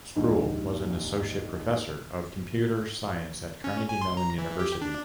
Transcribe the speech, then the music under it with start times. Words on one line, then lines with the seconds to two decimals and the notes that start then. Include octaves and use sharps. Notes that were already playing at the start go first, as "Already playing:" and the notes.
Sproull was an Associate Professor of Computer Science at Carnegie Mellon University.
0.16 A#1 D#2 G#2
3.64 C#4
3.89 G#5
4.02 C6
4.17 A#5
4.38 E3
4.59 G4
4.82 D4